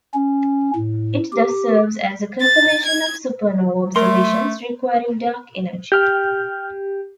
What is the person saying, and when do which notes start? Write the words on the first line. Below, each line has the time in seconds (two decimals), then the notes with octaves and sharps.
It thus serves as a confirmation of supernova observations requiring dark energy.
0.14 C#4
0.76 A2
1.32 G4
2.40 A6
2.85 G#6
3.96 A3 A#4 E5 C6
5.92 G4 G5 F6 G6